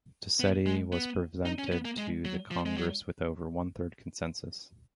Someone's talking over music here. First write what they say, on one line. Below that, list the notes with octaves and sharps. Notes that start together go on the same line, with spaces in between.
Dossetti was presented to the Congress with over one third consensus.
B3
G#3
B3
D#4
C#4
B3
A#3
G#3
F#3
F3
G#3
F#3